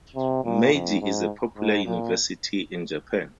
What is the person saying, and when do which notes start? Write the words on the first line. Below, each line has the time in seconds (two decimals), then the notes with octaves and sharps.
Meiji is a popular university in Japan.
0.16 C3
0.44 A#2
0.73 F2
1.01 G#2
1.57 G#2
1.85 A#2